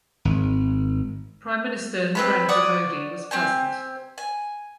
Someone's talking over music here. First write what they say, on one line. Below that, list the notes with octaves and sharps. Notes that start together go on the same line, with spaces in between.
Prime Minister Narendra Modi was present.
G#1
C4 B4 B5
C#5 D5 F#5 D#6
C4 G4 G#5
G#5